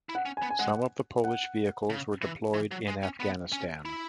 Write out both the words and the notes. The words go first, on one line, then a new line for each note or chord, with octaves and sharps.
Some of the Polish vehicles were deployed in Afghanistan.
E4
F#5
C#4
G#5
B3
G#5
G#3 F#5
F#5
C#3
E3
E3
F#3
G#3
C#4
B3
C#4
E4